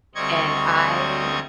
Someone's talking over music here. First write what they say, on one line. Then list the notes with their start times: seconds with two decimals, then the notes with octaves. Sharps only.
And I
0.15 D2 G3 C4 D#5 C#6 G#6